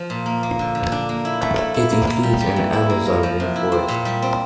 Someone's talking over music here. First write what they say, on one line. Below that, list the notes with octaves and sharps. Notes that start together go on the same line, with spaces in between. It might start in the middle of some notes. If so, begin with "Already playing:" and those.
It includes an Amazonian rainforest.
Already playing: F3
A#2
A#3
A#3
D3
D3
D4
A#3
E4
A3
E4
E4
A#3
A#3
G3
G3
E3
E4
A#3
A#4
F3
C3
E4
C4
A#2
G3
C4